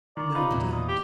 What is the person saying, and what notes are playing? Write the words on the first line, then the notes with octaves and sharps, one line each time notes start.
No doubt.
D#3 D5 A#5
D#4 F4 B4
E2 A#2
D#5
G4